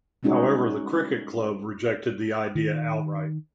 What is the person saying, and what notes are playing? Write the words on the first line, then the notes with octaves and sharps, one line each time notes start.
However, the Cricket Club rejected the idea outright.
G3 G#3 C#4 D#4 F#4 G#4
D#3